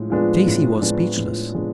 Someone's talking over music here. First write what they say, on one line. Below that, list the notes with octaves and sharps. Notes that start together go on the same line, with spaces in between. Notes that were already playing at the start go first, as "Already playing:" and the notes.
Stacy was speechless.
Already playing: A2 F3 G#3 D4
F3 G#3 B3 D4
A2
F3 G#3 B3 D4
A2
F3 G#3 B3 D4